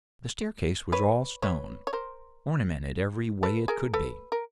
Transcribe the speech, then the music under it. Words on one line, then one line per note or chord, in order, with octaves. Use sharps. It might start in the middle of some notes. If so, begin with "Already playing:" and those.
The staircase was all stone, ornamented every way it could be.
B4 C#5
B4 C#5
C#5
A#4 C5
A4 B4
G#4 A#4
A4 B4
A#4